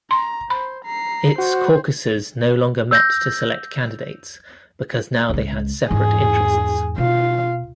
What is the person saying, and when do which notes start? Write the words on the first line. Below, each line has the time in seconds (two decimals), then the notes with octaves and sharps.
Its caucuses no longer met to select candidates because now they had separate interests.
0.11 A#5 C6
0.50 C5 B5
0.85 A#5 C7
1.38 F#4 C5
2.91 E6 G6 A#6
5.30 C#2 G#3
5.91 E2 G#2 G#4
6.98 B2 F4 F5